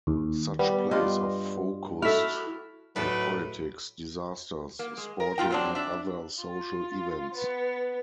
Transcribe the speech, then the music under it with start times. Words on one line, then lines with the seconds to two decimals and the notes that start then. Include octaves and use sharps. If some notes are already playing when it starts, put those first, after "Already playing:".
Such plays are focused on politics, disasters, sporting and other social events.
0.07 D#2
0.59 G3 B3
0.91 G2 F4 D5 D#5
2.02 E4 F#4 A4 E5 F6 B6
2.96 A2 F#3 A3 D4 D#4 B4 A5 B5
4.79 A#3
4.97 G#3
5.20 A#4
5.38 A#2 F4 G5
5.51 F#3 C4 D4
5.75 D4 E5
6.39 F4
7.34 B3